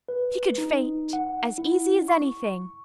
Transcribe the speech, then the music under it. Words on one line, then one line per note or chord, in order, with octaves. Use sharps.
She could faint as easy as anything.
B4
D#4
F#5
E4
C#6